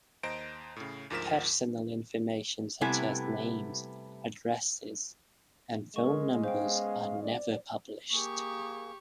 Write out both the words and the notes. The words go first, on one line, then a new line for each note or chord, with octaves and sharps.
Personal information such as names, addresses, and phone numbers are never published.
D#2 C5 D#5 A#5 D7
A2 C#3
D2 G#2 F3 A#4 B6 E7
C3 G3 A3 B3 E4 G#5
G#3 B3 C#4 A#4 C#6
C5 F5 G5
D5
A#3 G4 G#4 C#6